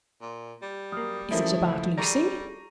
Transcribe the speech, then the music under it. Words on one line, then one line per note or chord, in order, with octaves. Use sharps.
"Is it about Lucy?"
A#2
G3
F#2 A#3 D#6 F6
E2 F3 A3 C#4 E4 A#4 E5 D#6
C#2
G3 G#4 A4 D5 A#5 C#6 A#6 D#7